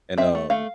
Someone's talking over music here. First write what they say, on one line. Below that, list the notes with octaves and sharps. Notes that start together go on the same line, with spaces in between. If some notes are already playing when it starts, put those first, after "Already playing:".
and, um,
C4 E5
A3
A3 F5